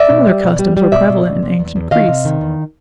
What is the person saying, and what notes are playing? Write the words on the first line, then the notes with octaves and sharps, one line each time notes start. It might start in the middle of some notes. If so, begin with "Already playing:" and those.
Similar customs were prevalent in Ancient Greece.
Already playing: D5 E5
B2
G3
B2
G3
G3
B2 D5 E5
B2
B2
C3
E2
E2
D#3 D#5 F5
C3
D#3
E2